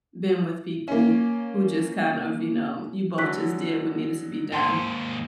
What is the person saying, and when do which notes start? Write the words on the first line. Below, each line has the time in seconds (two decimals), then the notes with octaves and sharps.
been with people who just kind of, you know, you both just did what needed to be done?
0.88 A#3 C#4
3.18 D3 F#3 G#3 F#6 B6
4.53 D#2 G#2 G5 A5 C6